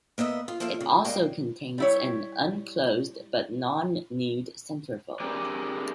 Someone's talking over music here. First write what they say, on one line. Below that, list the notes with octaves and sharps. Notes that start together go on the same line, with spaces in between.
It also contains an unclothed but non-nude centerfold.
A#3 B3 D#5 E5
F4
F3 A#3 A4 E5 F5
C#3
C#3 G3 G#3 A#3 G4
G3 E4 C#5
C4 D4 G4 G#4 A#4 D5